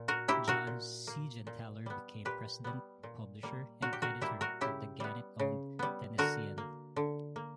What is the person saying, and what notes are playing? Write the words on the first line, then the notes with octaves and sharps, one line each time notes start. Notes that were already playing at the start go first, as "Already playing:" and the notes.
John Seigenthaler became president, publisher, and editor of the Gannett-owned "Tennessean".
Already playing: A#2
F#4 A#4
A#3 E4 G4
F#4 A#4
A#2
A#3
A#2
G3 B3
A#2 G4 B4
G3 B3
A#2
G3 A#3
A#2 F#4 A#4
G4
F#4 A#4
G3 A#3 E4 G4
F#4 A#4
C#3 E4 G4
G3 B3
C#3
G3 B3
D3 F#4 A#4
A#3
D3
A#3